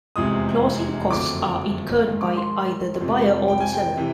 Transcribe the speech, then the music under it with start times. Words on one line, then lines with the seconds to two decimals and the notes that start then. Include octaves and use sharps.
Closing costs are incurred by either the buyer or the seller.
0.16 F1 E2 C3 F3 G#3 D#6
1.11 F#1 F2 D3 F#3 A3 D6
2.05 G#2 D#3 G#3
2.21 D6
2.37 C6
3.00 F2 C3 F3 G#3
3.48 G5
3.60 G#5
3.73 G5
3.97 C3 E3